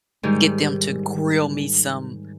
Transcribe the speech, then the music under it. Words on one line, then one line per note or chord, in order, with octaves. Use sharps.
get them to grill me some,
G#2 D#3 G3 G#3